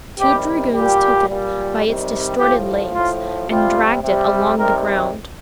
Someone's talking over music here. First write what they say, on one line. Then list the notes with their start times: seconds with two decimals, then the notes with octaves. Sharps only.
Two dragoons took it by its distorted legs and dragged it along the ground.
0.18 C3 D#3 G3 G4
0.73 A#2 G3 G4
1.28 A#2 G3
1.83 C3 D#3 G3
2.37 A2 F3 G4
2.92 A2 F3 F4
3.47 C3 G3 F4
4.02 C3 G3
4.57 C3 D#3 G3 A#4